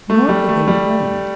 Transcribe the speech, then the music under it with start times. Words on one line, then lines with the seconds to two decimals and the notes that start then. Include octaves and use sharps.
Nor could they be blamed.
0.10 A3
0.29 G3
0.49 A3
0.68 G3